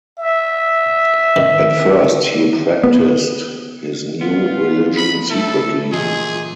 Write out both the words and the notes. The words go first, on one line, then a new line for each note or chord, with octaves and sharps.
At first he practised his new religion secretly.
E5
A1 D#3
B3
B3 F4
B5
A3 E4 A4
A#2 E3 G#4 D#5